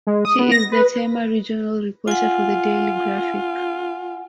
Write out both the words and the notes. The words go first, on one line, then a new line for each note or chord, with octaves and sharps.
She is the Tema regional reporter for the Daily Graphic.
G#3
D#6
B3
A#6
B4
F4 F#5 G#5